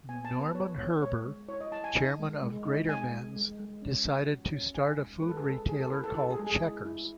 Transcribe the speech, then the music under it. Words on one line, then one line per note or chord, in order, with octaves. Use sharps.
Norman Herber, chairman of Greatermans decided to start a food retailer called Checkers.
B3 G#5
A5
B3
B4
B3 C#5
B3 C#5
G#3 C#5
G#3
E4 C#5
D#5
E4 A5
G#5
D#4
G#3
G#3
D#4
G#3 G#5
G#3
G#3
G#3
C#4
C#4
F#4
C#4
D#4 G#5
G#3
G#3 B4
A4
G#4
G#3 A4
G#3 G#4
A4
E4 B4
A4
E4 A4
G#4
G#3
G#4
E4
E4